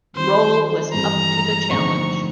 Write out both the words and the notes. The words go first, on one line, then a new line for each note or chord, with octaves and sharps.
Roll was up to the challenge.
D#3 G3 C4 F4 C5
G2 E3 G3 C4 A#5
D3 F3 A3 C4 D#4 C#6